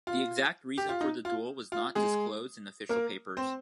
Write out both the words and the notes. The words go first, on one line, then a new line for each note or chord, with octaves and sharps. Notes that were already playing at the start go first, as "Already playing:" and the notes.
The exact reason for the duel was not disclosed in official papers.
F4
G4
F4
D#4
F4
F4
G#3 G#4
A#3 A#4
C4 C5